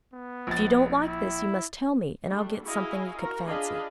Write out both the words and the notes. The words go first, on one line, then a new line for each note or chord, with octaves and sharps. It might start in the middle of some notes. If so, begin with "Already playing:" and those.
If you don't like this, you must tell me, and I'll get something you could fancy.'
B3
A#1 A6
E4
G3 A3 D4
E4 F#4 G#4 D#5 F5 G#5
F#4 A#4 A#5
D4 F4 G#4 D#5 F5 B5